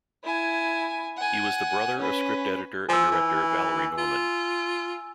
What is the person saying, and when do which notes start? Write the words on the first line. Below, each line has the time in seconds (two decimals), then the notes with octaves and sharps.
He was the brother of script editor and director Valerie Norman.
0.23 E4 G#5
1.17 F#5 G#5
1.98 C#4 B4
2.89 F3 G#5 E6
3.11 E3
3.98 F4